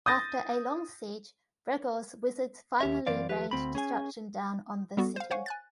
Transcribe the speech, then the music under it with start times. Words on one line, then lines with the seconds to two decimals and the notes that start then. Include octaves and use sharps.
After a long siege, Breggor's wizards finally rained destruction down on the city.
0.06 D#6 G6 A6 A#6
2.81 D#2 G4 E5
3.07 F#2 E3 C4 D5 F5
3.29 D#2 F3 G4 B4
3.51 D2 C4 B5
3.75 C#4 G#4 G#5
4.97 G3 B3 F#4 A4
5.16 C5 F5
5.31 C5 C#5 F5 F#5 G#5 C#6
5.46 G#5 F#6 A6